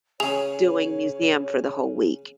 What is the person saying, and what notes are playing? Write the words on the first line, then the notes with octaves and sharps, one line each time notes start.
doing museum for the whole week.
C#3 C#4 G#4 C#5 F7